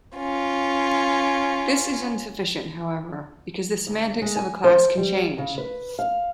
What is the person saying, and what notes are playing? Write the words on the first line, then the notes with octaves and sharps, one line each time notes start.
This is insufficient, however, because the semantics of a class can change.
C#4 F4
D2
G#3
G#5
C5
G3
C#3
B4
F5